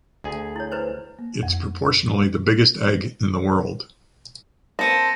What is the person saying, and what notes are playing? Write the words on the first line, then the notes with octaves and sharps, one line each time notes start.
It’s proportionally the biggest egg in the world.
D2 G#4
E4 C#5
E4 B4 C5
A#3
F2
A#3 C4 A5 A#6 C#7 D#7